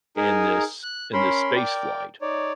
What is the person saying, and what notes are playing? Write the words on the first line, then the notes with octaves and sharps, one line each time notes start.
in this in this spaceflight
D#4 G#4 A#4
F#6
C#4 A#4 B5 C6
A#4 D5 G5
D#4 C#5 D5